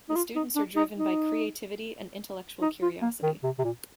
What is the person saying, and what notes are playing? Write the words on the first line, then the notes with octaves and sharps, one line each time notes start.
The students are driven by creativity and intellectual curiosity.
D#4
F4
D#4
D4
D#4
D#4
D#4
F4
A#3
D#3
C3
C3
A#2